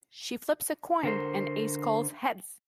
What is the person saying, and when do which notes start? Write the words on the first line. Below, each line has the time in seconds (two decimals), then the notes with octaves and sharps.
She flips a coin, and Ace calls "heads".
1.03 D3 A#4 C5